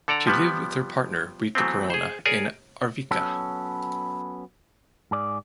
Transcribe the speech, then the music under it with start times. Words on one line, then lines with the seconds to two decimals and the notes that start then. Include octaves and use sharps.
She lived with her partner Brita Crona in Arvika.
0.08 D3 A4 D5 A#5
0.27 F3 G3 B3
1.55 E3 F#3 A3 B3 C4
1.90 G#4 C5
2.25 G#4 A#4 C#5 D5 G#5
3.11 F#3 B3 C#4 A4
5.11 G#2 G#4 D5